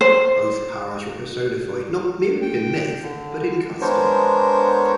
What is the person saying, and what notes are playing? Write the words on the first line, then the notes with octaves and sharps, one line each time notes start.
Both powers were personified not merely in myth but in custom.
C5
G5
D3
G#3 B3 D4 A#4 C5 C#5